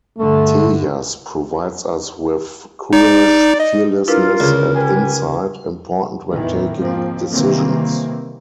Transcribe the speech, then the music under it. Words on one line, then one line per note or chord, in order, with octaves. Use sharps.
Tejas provides us with courage, fearlessness and insight, important when taking decisions.
G2 D3 A3
D#4 D5
D#5
D4 E4 F4 A#4 B4
C#2 D3 G#4
G4 B4 G#5
E2 A2 D#3 E3
G#2 F3 A#3 C4
C3 D#3 E3 G3 A#3 C4